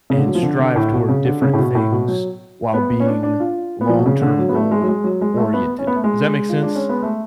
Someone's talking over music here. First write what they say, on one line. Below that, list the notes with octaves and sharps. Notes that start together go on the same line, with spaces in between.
and strive toward different things while being long-term goal oriented. Does that make sense?
C#3
D3
F#3
F3
D3
D3
A2
B2
C#3
D3
C#3
A2
B2
A2
B2
F#3
B3
C#4
D4
D4
F4
B3
F3
B2
C#3
D3
F#3
B3
A3
G#3
F#3
G#3
F#3
G#3
A3
B3
C#4
B3
A3
G#3
F4
D4
C#4
B3
A3